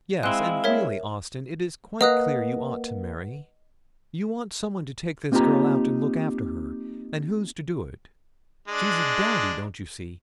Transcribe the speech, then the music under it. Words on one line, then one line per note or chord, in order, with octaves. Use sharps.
'Yes, and really, Austin, it is quite clear you ought to marry; you want some one to take this girl out, and look after her, and who's to do it? She's a dowdy--don't you see?
G#3 C4 E4 F5 F#6 G7
A#4 C#5 E5
A#3 B4 D#5 F#5 D#6 F#6
A#3 C4 D#4 F4 G4 A#5
G#3 D4